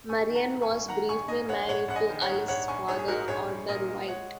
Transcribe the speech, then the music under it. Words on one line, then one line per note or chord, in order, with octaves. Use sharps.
Marian was briefly married to Alice's father, Audler White.
A#1 G#5 C#6
D#3
F#5 A#5
G#2
G#5 C#6
A#1
D#3 F#5 A#5
A#1 G#5 C#6
G#2 D#5 G#5
A#1 C#5 F#5
A#1 C#5 F#5
A#1 F#5
D#5 G#5
D#3
C#5 F#5
G#2
A#1 C#5 F#5
A#1 G#5 C#6
G#2 G#4 C#5
G#4
G#2 F#4 A#4
A#1 G#4 C#5
A#1
A#2 A#4 D#5
G#3
G#3 C#5 F#5